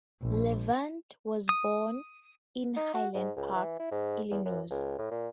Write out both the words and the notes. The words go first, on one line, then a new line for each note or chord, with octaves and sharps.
Levant was born in Highland Park, Illinois.
A#1
D#6
D#4
F#4
G#2
C#2
E3
E4
G#2
E2
F#2
C#2
A2
A#2